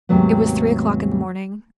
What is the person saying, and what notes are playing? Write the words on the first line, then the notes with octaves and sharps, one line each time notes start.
It was three o'clock in the morning.
D#2 G#2 C3 F#3 A3 B3